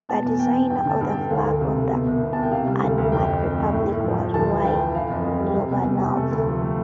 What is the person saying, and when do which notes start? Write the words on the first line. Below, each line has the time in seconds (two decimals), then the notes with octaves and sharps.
The designer of the flag of the Udmurt Republic was Y. Lobanov.
0.09 B2 A5
0.25 E2
0.39 E2 G5
0.54 E2
0.70 G2 G5
0.85 D3 A5
1.01 G2
1.10 G5
1.15 D3
1.30 D2 F5
1.45 D2
1.61 C3
1.76 D2
1.92 B2
2.07 C2
2.22 B2
2.33 C2 A5
2.43 G5
2.51 C3 F5
2.67 G3
2.82 D2
2.98 D2
3.12 F2 G5
3.27 F2
3.44 F2
3.58 A3
3.73 A2
3.89 A2
4.04 F3
4.18 F3
4.34 D2 A5
4.50 E3
4.64 D2 G5
4.79 E3
4.95 E3 F5
5.10 F2
5.25 F2
5.40 G3
5.55 C3
5.71 E2
5.85 G3
6.01 C3
6.16 A3 A4
6.31 D2
6.46 F3
6.62 A3